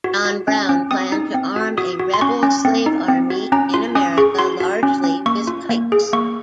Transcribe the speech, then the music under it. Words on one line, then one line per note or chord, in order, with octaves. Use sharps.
John Brown planned to arm a rebel slave army in America largely with pikes.
F#4
F#4
C#4
C#4
C4 D#6
D#4
C4
F#4
F#4 D#6
F#4
C6
C#4 C#6
C#4
C4
D#4
C4
F#4
C#4 A#5
F4 C6
C#4 D#6
G#4 C#6
F#4 C6
F#4
C#4
C#4
A#3 C#6
F4
A#3
G#4
A#3 C#6